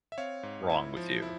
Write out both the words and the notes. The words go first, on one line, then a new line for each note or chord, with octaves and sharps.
wrong with you,
E5
C4 C#5 F5
G#2
E4
F3
E4